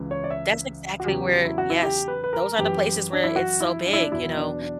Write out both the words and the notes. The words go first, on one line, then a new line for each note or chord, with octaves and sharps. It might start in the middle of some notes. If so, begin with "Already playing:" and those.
That's exactly where yes, those are the places where it's so big, you know?
Already playing: C#2 C#3 E3
C#5
D5
E5
F#4
E2 C#3 F#3 G4
E4
F#4
E4
G4
B4
B4
A#4
F#2 E3 G4
D4
E4
F#4
E4
D4
E4
D4
E2 B2 F#3 E4
D4
D4